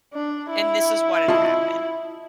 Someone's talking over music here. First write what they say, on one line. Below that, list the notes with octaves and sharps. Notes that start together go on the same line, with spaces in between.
and this is what had happened,
D4
E4
F4 D#5 A5